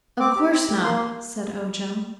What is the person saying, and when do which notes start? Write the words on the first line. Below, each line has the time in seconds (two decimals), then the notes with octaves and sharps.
"Of course not," said Ojo.
0.19 C4 D6
0.36 G4
0.52 C4
0.67 G4
0.84 A#3 C6